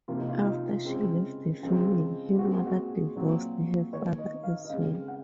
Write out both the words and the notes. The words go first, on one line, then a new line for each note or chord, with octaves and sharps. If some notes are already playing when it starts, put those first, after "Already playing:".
After she left the family her mother divorced her father as well.
C3 F3 A#3 F4
D#4
F4
D#4
F4
C#3 G#3 C4
C#3 F3 G#3 C4
A#2 G#3 C4 F#4
G#4
F#4
A#2 F#3 C4
D#3 A#3 C#5
D#5
F5
D#5
C#3 G#3 C4 F5
F#5